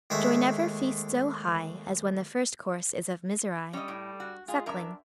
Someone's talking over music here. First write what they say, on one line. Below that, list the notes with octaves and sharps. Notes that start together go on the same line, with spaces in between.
"Joy never feasts so high As when the first course is of misery." --SUCKLING.
D#2 G#3 A3 E5
G3 C#4 D#5
A2
F#4
G#3 F4 G#4
F#2 D4 A#4 E5